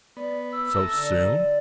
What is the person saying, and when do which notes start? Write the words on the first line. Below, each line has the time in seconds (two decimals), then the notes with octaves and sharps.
"So soon?"
0.17 B3 D5
0.52 E6
0.74 A4 E5 A#5
0.93 D3
1.24 G3